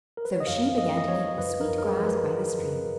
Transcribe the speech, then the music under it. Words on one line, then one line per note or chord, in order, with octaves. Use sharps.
So she began to eat the sweet grass by the stream.
A#4
B4
C#5
D#5
F#2 F5
F3 D#5
D#5
F3 C#5
F#2 B4
A#4
F#2
A#4
G#4
F3
B4
F3
F#2